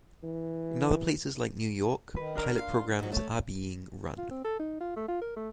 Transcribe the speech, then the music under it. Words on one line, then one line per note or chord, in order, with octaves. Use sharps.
In other places like New York pilot programs are being run.
E3
D#3 B4
D4 A#4 A#5
F4 F5
G#2 F3 F#3
A3 C#5
F4
C4
A4
D#4
F4
A3
F4
A#4
A3